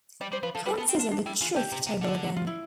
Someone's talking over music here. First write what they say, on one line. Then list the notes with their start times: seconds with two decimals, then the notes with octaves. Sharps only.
Consider the truth table again.
0.21 G3 D5
0.32 G3 C5
0.43 F3 B4
0.55 F3 A4
0.66 G3 B4
0.77 B3
0.81 A4
0.89 C4
0.96 F4
0.99 D4
1.11 D4
1.26 G3 E4
1.41 E3 F4
1.56 D3 G4
1.72 C3
1.87 C3
2.01 D3
2.37 F4
2.47 E4